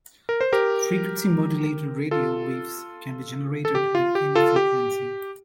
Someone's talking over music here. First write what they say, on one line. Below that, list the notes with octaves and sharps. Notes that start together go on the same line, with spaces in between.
Frequency-modulated radio waves can be generated at any frequency.
A#4
C5
G4 A#4
F4 A4
A4
G4
F4
G4
F4 A4
G4